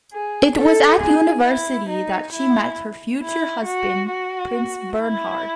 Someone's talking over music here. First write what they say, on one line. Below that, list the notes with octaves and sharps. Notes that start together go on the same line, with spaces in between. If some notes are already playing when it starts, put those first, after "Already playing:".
It was at university that she met her future husband, Prince Bernhard.
G#4
A4
G#4
E4
D#4
E4
E4
F#4
F#4
E4